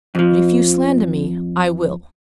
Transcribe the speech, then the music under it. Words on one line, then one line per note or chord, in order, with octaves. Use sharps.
But if you slander me, I will.
F2 F3